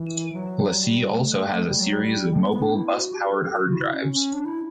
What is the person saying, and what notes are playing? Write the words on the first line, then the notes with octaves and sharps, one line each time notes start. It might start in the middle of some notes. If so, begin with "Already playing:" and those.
LaCie also has a series of mobile bus-powered hard drives.
Already playing: E3
F#3
G3
A3
A3
G3
F#3
G3
A3
B3
B3
D4
E4
F#4
G4
G4
A4
G4
F#4
E4
C#4
C#4
D4
E4